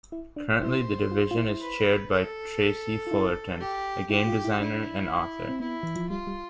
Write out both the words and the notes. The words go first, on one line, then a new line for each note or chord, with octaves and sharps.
Currently, the division is chaired by Tracy Fullerton, a game designer and author.
E4
D4
E4 C5
F4
F4
E4
B4
A4
F4
E4
G4
E4 G4
F4
E4
D4 E4
C4
B3 E4
E3
F3
G3 F4
G3